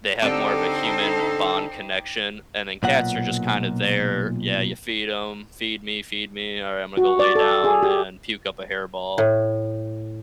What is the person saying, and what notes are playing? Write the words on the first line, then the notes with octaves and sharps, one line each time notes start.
they have more of a human bond connection, and then cats are just kind of there. Yeah, you feed 'em. "Feed me, feed me, alright, I'm gonna go lay down and puke up a hairball."
D3 C4 D#4 G4 A4 C5
B1 A#2 F#5
F#4
D5
A4
G#4
G4
A2